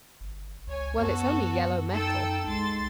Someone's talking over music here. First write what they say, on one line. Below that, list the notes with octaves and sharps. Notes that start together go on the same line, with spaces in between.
Well, it's only yellow metal.
G1
C#2 C#5 G#5
F#2 B3 F#4 A4
D#4 A4 G5 E6
C2 G#3 C6 A6